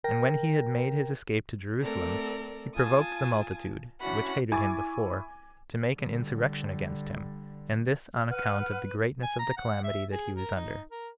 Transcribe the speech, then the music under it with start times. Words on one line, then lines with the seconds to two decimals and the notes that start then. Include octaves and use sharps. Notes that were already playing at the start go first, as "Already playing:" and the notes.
And when he had made his escape to Jerusalem, he provoked the multitude, which hated him before, to make an insurrection against him, and this on account of the greatness of the calamity that he was under.
0.04 A#4 G5 A#6
1.81 A3 C4 A4 A#4 D5
2.74 F4 G#5 A5 D#6
3.99 C#4 D4 E4 F#4 F#5 B5
4.52 E4 G#5 C#6 D6 A6
5.98 D3 G3
8.30 B4 F#5 F6
9.23 G#5
9.39 A#5
9.57 F#5
9.84 E5
10.12 G#4
10.36 A#4
10.56 D#4
10.91 A#4